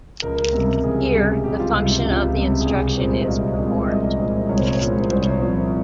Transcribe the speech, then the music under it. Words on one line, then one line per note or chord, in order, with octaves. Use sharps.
Here, the function of the instruction is performed.
C#2 A#4
C3 G3
C#2 G#4
C3 G3
C#2 G4
F4
C3 G3 G4
F4
C#2 F4
C3 G3
G#4
C2 G4
A#2 G#3 C4
D#5
C2 F5
A#2 G#3 C4
C2 D#5
A#2 G#3 C4
C2 C#5
C5
C#5
A#2 G#3 C4
C2 C5
C#5
C5
A#2 F3 C4